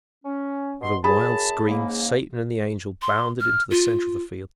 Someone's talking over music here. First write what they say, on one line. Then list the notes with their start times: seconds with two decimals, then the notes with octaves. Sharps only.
With a wild scream Satan and the Angel bounded into the center of the field.
0.24 C#4
0.81 B2 C6
1.04 F#2 G#4 A5 B5
1.67 G#2 C#3 A#3
3.02 C6
3.40 F6
3.71 F4